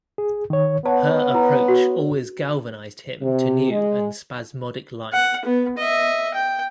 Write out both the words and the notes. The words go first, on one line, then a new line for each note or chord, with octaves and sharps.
Her approach always galvanized him to new and spasmodic life.
G#4
D#3 C#5
B3 C#5 F#5 A5
E4 B4
F#4
C3
G#3
F#5
B3
D#5 E5
G5